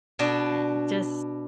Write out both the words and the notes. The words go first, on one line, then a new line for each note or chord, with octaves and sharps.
e eh just
B2 D4 F#4